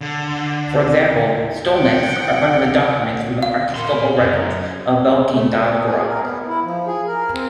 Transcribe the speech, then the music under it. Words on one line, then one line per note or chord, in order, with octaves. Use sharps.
For example, "stolniks" are found in documents from the archiepiscopal records in Veliky Novgorod.
D3
F#5 G5
F5
A#4 C6
F#2
A3
A#2
G#4
A#4
B3
E4
F3
G#4
A#4
C4